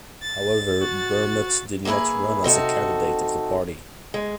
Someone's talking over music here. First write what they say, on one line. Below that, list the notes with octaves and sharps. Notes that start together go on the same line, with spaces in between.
However, Bermet did not run as a candidate of the party.
A6
F#4
A#3 B3 E4 G#4 B4
C3 D#4 F#4 A4
G#3